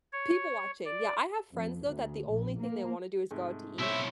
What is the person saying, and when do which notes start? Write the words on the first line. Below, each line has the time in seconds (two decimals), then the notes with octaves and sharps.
People watching, yeah. I have friends, though, that the only thing they wanna do is go out to eat,
0.12 C#5
0.85 D5
1.52 F2
1.84 D2
2.28 A#1
2.58 A#3
3.31 G#2 C3 A3
3.79 B2 E4 C5 C#5 E5